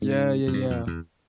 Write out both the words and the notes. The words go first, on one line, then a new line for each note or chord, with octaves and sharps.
Yeah, yeah, yeah.
G#2
F#2
G2
F2
E2